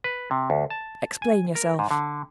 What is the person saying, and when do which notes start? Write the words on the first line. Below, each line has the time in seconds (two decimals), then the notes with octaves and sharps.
"Explain yourself."
0.04 B4
0.31 C3
0.50 D2
0.70 A5
1.22 G#5
1.55 A#4
1.79 G#2
1.91 D3